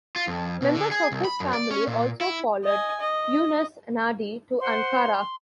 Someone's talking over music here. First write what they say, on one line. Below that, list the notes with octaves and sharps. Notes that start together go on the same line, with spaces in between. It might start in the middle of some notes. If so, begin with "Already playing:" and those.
Members of his family also followed Yunus Nadi to Ankara.
F4
F2
B2
D3
G#4
C2
B5
F#2
D5
C#4
A#2
E4
D#5 G#5
D#5
C5 F#5 C6